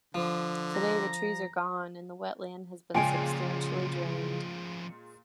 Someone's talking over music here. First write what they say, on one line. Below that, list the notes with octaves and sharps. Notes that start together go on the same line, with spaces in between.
Today the trees are gone and the wetland has been substantially drained.
D3 F3
A#5
A#2 C#3 F3 G#3 C#4 G5 G#5